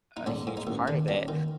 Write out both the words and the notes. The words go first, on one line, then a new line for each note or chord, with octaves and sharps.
a huge part of it,
D#4
G#2 D4
G#2
D#4
A1
D#3 D4
F#2 D4
D#3